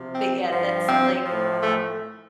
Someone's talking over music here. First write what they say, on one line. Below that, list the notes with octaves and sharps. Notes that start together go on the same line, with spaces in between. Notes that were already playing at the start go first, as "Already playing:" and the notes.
But yeah, that's like, um
Already playing: C3 F3
C4
G2 F3
C4
A2 F3
A3